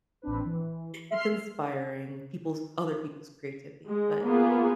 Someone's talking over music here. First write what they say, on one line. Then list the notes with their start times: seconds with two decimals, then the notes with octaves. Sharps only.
it's inspiring people's other people's creativity, but
0.22 A1 C4 D4 B4
0.45 E3
1.11 E5 C6 F6 C7
3.87 G#3
4.24 A#3 B3 F4 G#4